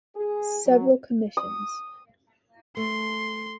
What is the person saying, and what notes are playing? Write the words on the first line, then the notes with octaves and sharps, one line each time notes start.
Several commissions.
G#4
F#3
D#6
A3 C6